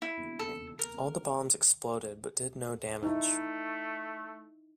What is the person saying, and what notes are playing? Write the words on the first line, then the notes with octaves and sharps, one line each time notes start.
All the bombs exploded but did no damage.
E4
A4
A#4
A3 D#4 E4